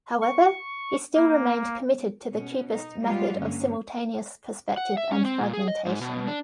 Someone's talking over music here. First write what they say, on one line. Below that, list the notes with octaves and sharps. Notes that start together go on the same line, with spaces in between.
However, he still remained committed to the cubist method of simultaneous perspective and fragmentation.
C#6
A#3
B2 C#4
D#4
G3 G#3 B3 F4
G2 D3 A#3 C#4
F#5
E5
C#4
C4
A#2
G#4
D#5
G#2
B2
D4